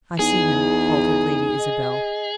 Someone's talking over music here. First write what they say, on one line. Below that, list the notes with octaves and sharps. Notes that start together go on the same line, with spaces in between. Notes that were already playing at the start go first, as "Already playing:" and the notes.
"I see him," faltered Lady Isabel.
E2 D#4 G#4
D#5